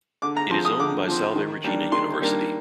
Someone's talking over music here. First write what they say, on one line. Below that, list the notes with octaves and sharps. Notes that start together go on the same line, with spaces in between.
It is owned by Salve Regina University.
D3 D6
A#5
F3 C4 C6
D#6
D3 D6
F3 C4
D#3
G3 A#3 D4
D#3 C6
G3 A#3 D4